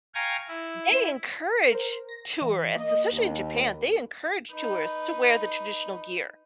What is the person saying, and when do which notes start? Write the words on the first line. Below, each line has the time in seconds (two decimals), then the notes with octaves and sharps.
they encourage tourists, especially in Japan, they encourage tourists to wear the traditional gear,
0.15 F5 G5 G#5 A#5 C#6
0.48 E4
1.72 A#4 C5
2.09 A#6
2.42 E3
2.76 A#3 D#5
3.12 D#2
3.54 A#3 B4
4.52 D#4 B4